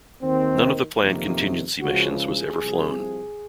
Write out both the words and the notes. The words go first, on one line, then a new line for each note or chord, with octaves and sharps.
None of the planned contingency missions was ever flown.
D#2 D#3 C4
F2 C3 D#3 A#3
C#2 C#3 F3 F#4
G#4
C2 C3 F3